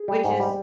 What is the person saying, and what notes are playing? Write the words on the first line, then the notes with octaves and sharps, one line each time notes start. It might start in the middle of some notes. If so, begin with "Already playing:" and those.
Which is
Already playing: G#4
G3
G#2
G3